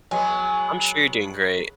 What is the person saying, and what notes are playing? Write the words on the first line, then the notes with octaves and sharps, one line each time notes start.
I'm sure you're doing great.
F#3 G#3 B3 G#5